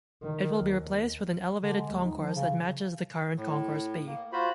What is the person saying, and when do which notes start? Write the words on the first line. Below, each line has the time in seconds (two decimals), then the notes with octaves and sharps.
It will be replaced with an elevated concourse that matches the current Concourse B.
0.23 D#3
0.61 D#2
1.63 D3
1.76 G#3
1.91 D#2
2.04 D#4
2.18 F3
2.35 C#3
3.37 A2
4.07 A#3
4.32 F4 F#4 C5 B5